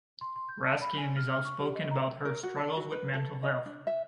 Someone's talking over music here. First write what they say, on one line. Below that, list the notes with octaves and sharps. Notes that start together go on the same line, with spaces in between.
Raskin is outspoken about her struggles with mental health.
C6
C6
G6
A5
B5
G#5
F6
F6
C#6
G4
D#5
A#5
A#4
F#4
A5
F#4
B4
A4
D#5
D4
E5